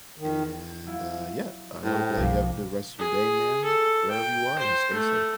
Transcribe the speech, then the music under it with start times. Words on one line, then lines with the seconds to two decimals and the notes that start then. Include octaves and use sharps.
and, uh, yeah, I hope that you have a good rest of your day, ma'am, wherever you are, and stay safe.
0.18 D#3
0.87 F#3 E4 F4
1.82 A2 C5 G5
2.16 B1 G2 F3 A#3
2.99 G#4
3.65 A4
4.11 G5
4.59 C5
4.94 A3